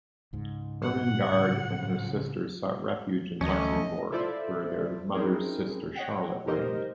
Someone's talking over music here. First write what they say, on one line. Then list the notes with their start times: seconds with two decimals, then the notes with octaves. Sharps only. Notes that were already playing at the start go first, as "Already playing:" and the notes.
Irmingard and her sisters sought refuge in Luxembourg, where their mother's sister Charlotte reigned.
0.33 C#2 G#2
0.83 F#5
1.32 A2 C#3 F3
3.41 D2 E3 A3 C#4 D#5
4.12 E4 F4 A4 C5 D5 E5
5.14 C4 C#4 D#4 E4 G#4 A#4
5.95 C#5 D#5 F#5 G5
6.47 D#4 G4 A#4 C5 D#5